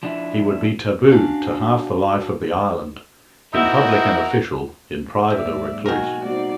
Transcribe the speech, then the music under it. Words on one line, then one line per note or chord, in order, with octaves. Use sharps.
He would be taboo to half the life of the island--in public an official, in private a recluse.
F3 D4 E4
C#4 D4 F#4 F5
C4 D#4 E4 F#4 A#4
G#2 C3 F#3 A#3 D5 E5
B2 D#3 B3 F#4 A#4 G#5
G3 A3 B3 C4 D#4 F#4 D5